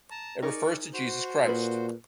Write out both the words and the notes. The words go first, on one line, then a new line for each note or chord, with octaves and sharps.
It refers to Jesus Christ.
A5 A#5
D#4 G#4 A#4 D5 C#6
F#4 C5
A#2 G#4 A#4 B4